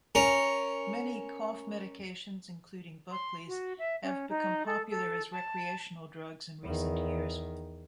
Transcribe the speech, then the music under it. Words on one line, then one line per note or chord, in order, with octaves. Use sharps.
Many cough medications, including Buckley's, have become popular as recreational drugs in recent years.
C#4 A#4
C6
F#4
E5
C#4
D#4
A4
A4
A5
E2 D#3